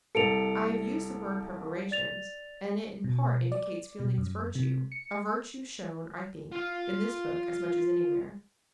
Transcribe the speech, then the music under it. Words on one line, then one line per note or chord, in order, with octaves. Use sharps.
I have used the word "preparations," and it in part indicates Fielding's virtue, a virtue shown, I think, in this book as much as anywhere.
C2 A4 C#7 D7 F7
D5 A6 F7
B2
D5
B2
F#2
C3
C#7
F4 F5